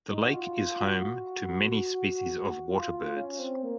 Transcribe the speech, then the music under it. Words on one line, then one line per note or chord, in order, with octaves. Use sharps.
The lake is home to many species of waterbirds.
D#4
F#4
F4
F4
F#4
F4
F4
C#4
C4
A#3